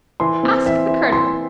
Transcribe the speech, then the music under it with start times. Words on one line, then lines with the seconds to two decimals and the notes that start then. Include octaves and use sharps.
"Ask the Colonel."
0.20 E3 C6
0.43 C4
0.66 E3 E5
0.88 E3
1.11 E3 C6